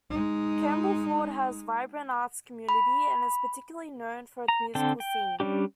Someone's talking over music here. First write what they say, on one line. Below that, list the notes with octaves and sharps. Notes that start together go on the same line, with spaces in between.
Campbellford has a vibrant arts community, and is particularly known for its musical scene.
G#3 D#4
B5
A#5
D3 C4 A4 G5
G5
G3 C#4 D4 G4